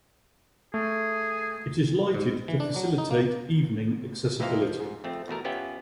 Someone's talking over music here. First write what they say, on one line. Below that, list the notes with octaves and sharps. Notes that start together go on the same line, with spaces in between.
It is lighted to facilitate evening accessibility.
A3 G#4
G#2
E3
D4
F#3
D#4
A#3
F2 E3 A#3 D#4 C5 F5
F3
G#2
F2 A3 C4
E2 B2 A3 A#4
B3 C#4 F4 G4 E5 F#5